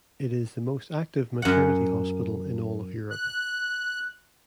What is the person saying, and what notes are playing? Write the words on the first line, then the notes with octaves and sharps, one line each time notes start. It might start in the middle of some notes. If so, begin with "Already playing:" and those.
It is the most active maternity hospital in all of Europe.
F#2 F#5
F#6